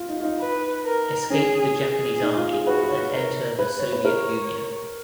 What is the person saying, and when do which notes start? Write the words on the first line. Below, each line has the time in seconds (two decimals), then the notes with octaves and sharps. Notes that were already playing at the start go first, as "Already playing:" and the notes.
Escape the Japanese army and enter the Soviet Union.
Already playing: F4
0.09 D#4
0.20 F4
0.23 D#4
0.39 B4
0.84 A#4
1.30 C#4 G#4
1.76 G#4
2.22 D#4
2.36 F4
2.53 G#4
2.67 F#4 B4
2.83 B4
2.89 C#5
3.13 A#4
3.59 B4
3.79 C#5
3.92 B4
4.04 A#4 C#5